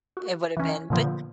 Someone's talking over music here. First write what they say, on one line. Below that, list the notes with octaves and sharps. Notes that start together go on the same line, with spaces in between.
It would've been but
F#4
E3 C#4
A#2 D3 F3 B3